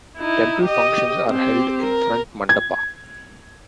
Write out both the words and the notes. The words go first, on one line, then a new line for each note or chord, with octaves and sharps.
Temple functions are held in front mandapa.
D#4 E4
G4 D#5
C4 G4
A#4
G#6